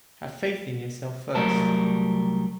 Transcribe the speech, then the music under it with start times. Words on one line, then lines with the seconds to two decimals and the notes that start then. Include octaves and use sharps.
Have faith in yourself first.
1.35 C2 F#3 G3 A3 A#4 A5